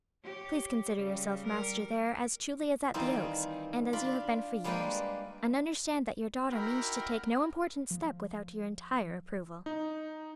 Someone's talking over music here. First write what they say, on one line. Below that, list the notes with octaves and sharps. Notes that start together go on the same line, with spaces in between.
"Please consider yourself master there as truly as at the Oaks, and as you have been for years; and understand that your daughter means to take no important step without your entire approval."
G4 C#5
C#3 G3
G3 A#4
D#3 E3 G3 C4 D#4 F4
D4 F4 B5
G3 G#3 A#3 B4 D5 G5
D#4 E4 F#4 A#4 G5 B5
F3
D#4